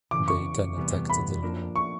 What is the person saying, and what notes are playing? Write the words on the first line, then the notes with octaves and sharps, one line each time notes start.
They then attacked the Luo.
E2 C#3 E3 D6
C#6
E2 C3 E3 G3 B3
B5
F3 A#3 D4
C#6